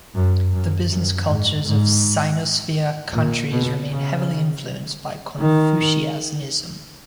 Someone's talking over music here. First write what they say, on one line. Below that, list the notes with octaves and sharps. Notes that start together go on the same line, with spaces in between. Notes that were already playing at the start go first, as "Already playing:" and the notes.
The business cultures of Sinosphere countries remain heavily influenced by Confucianism.
F#2
F#2
F#2
G#2
G#2
A#2
B2
C#3
D#3